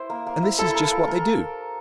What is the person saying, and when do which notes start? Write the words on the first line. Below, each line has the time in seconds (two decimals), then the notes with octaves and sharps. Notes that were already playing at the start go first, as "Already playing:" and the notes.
And this is just what they do.
Already playing: E4 G4 C5
0.10 A#3
0.27 A#3
0.43 E4
0.59 E4 A4
0.75 A#4
0.92 F5
1.08 A#4